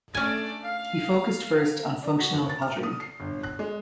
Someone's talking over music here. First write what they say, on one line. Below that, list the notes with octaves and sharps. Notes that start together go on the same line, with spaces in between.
He focused first on functional pottery.
A3 C#4 D4 D5 G#5
F5
D4
F#4
D#2
A6
F6
D#6
C7
G1
F#6
G#3